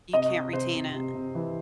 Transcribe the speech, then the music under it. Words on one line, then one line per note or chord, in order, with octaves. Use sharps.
You can't retain it.
C3 D#5
C3
C3 C5
C3
C3
C3
E3